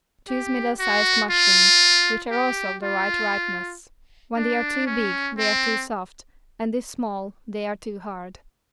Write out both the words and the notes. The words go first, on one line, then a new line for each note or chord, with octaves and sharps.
Choose middle-sized mushrooms, which are also of the right ripeness: when they are too big they are too soft and if small they are too hard.
G4
F#4
F4
G4
F4
D4
C#4
C4